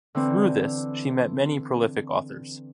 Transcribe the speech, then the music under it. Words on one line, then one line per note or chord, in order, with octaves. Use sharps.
Through this, she met many prolific authors.
D3 E3 C4